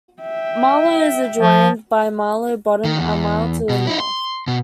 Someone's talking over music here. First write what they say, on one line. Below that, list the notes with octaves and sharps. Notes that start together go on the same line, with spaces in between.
Marlow is adjoined by Marlow Bottom, a mile to the north.
E5 G5
F3
D#3
E2
B2
D#4 E4
C6
B2